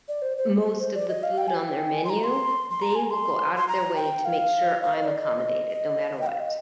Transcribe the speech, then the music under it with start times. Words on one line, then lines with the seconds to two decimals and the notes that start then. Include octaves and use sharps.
most of the food on their menu, they will go out of their way to make sure I'm accommodated no matter what.
0.08 D5
0.22 C5
0.37 C5
0.80 C5
0.95 D5
1.09 D#5
1.23 F5
1.38 G5
1.48 G#5
1.57 G5
1.94 G#5
2.05 C6
2.10 A#5
2.24 C6
2.70 C6
2.82 A#5
2.95 G#5
3.10 C6
3.56 C6
3.68 A#5
3.96 G5
4.25 F5
4.82 F5
4.94 D#5
5.04 D5
5.16 D#5
5.69 D#5
6.21 G5
6.27 F5
6.40 D#5